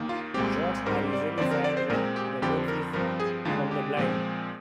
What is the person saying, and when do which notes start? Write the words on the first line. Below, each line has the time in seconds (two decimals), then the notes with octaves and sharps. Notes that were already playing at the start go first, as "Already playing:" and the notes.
Shots are usually fired when the wolf is from the blind.
Already playing: D#2 D#3 A#3
0.09 F4
0.34 C2 A#2 G#3 C4 G4
0.86 G#2 G3 C4 A#4
1.13 D5
1.38 D#2 D3 F3 C4 D5
1.51 A#4
1.64 D5
1.77 C5
1.90 A#2 G#3 C4 A#4
2.16 G4
2.42 F2 D3 F3 C4 G4
2.68 A#4
2.93 G2 F3 C4 A#4
3.20 G#4
3.45 D#2 D3 G#3 F4
3.71 G4
3.97 A#2 F3 G#3 C4